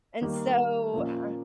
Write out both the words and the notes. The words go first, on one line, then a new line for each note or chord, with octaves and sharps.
And so, uh
D#3 G3 A#3
A#2 F3 A#3 C#4